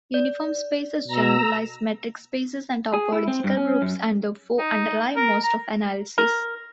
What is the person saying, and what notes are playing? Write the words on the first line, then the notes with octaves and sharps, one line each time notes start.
Uniform spaces generalize metric spaces and topological groups and therefore underlie most of analysis.
D5
B2 A#5 E6
G#4
E4
C4
G2
C#4
F#2
D#4
A#4
A#5
A#4